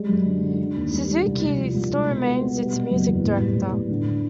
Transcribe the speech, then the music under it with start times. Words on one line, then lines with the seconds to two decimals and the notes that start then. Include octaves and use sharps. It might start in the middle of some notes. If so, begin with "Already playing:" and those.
Suzuki still remains its music director.
Already playing: G3 G#3
0.09 F#2
0.26 D3
0.42 D3
0.59 D3
0.76 D#2
0.92 G3
1.08 G3
1.25 C2
1.41 C2
1.58 F3
1.75 C2
1.91 G#3
2.07 B2
2.23 B3
2.41 B3
2.57 G3
2.73 B2
2.91 F#1
3.07 E2
3.23 A2
3.40 G3
3.56 A2
3.72 A2
3.89 D3